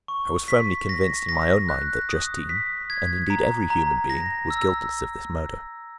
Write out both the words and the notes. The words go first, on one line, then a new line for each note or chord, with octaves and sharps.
I was firmly convinced in my own mind that Justine, and indeed every human being, was guiltless of this murder.
C#6
B6
A#6
A#6
F#6
D#6
B6
G#6
A#5
A#5
A#6
E6